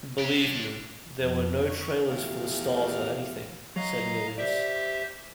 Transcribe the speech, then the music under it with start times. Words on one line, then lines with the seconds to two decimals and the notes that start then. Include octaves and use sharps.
"Believe me, there were no trailers for the stars or anything," said Milius.
0.19 D4 G4
1.18 F2
1.61 C#6
2.10 E2 F3 A3 G4 F5
3.76 F#3 D#5 F5 A#5
4.38 G4 C5 D5 E5